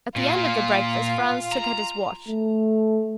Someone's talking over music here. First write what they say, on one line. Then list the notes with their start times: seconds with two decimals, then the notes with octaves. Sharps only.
At the end of the breakfast Franz took out his watch.
0.16 A#2 F4
1.52 A#5
2.28 A3